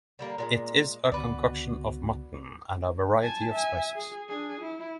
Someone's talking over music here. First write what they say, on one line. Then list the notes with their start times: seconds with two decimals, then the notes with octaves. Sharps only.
It is a concoction of mutton and a variety of spices.
0.19 D3 G3 A#3
0.38 A#2 D3 G#3
1.12 C#2 D3 B3 F#4 B4 D5
3.22 G#5 A5
3.52 E5 G#5
3.95 G#4
4.28 D4 G#4
4.61 E4